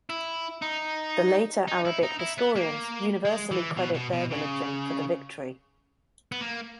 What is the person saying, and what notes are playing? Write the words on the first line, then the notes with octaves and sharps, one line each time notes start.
The later Arabic historians universally credit their religion for the victory.
E4
D#4
D#4
E4
D#4
E4
B3
A#3
G#3
E3
B2
B2
B2
C#3
B3
A#3